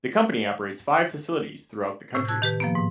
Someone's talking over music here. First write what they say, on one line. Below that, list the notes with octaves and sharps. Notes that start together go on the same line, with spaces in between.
The company operates five facilities throughout the country.
A2 C3
A5 E6 F#6 G#6
D#3 G4 B4
F3 A#3 B3
G#2